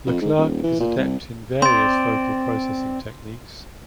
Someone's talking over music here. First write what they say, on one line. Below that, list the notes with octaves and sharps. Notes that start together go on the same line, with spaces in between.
Leclercq is adept in various vocal processing techniques.
F2
G#2
D#1
E3
A#2
C2
C4 D5 C6